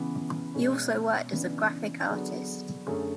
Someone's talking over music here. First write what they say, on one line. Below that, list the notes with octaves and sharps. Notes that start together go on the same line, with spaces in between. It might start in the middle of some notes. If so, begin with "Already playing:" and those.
He also worked as a graphic artist.
Already playing: C#3 E3 B3
B2 G#3 C#4
C#3 E3 B3 D4
D3 F#3 B3 D4 G#4
F#2 D3 A3 C#4 G#4